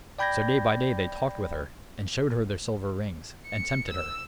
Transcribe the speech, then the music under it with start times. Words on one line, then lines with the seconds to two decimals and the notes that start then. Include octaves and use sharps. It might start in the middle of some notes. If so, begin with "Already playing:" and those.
So day by day they talked with her, and showed her their silver rings, and tempted her.
0.19 D5 G5 B5 G6 G#6 A#6
3.48 C#7
3.90 E6